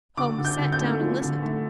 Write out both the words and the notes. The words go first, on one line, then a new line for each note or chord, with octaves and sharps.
Holmes sat down and listened.
D3 D6
D3
G6
D3
G6
A3
F3
D3
A3